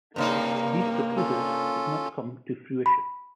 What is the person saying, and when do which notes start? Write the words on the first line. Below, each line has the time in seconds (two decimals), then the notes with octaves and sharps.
These proposals did not come to fruition.
0.16 G2 C3 A#3 D#4
1.16 C#4 F4 A4
2.86 B5